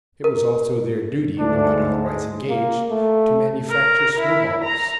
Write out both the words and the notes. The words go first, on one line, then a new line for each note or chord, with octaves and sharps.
It was also their duty, when not otherwise engaged, to manufacture snow-balls.
A#4
D2 G#2 D4
G#3
A#3
A3
A#4
E4
A#5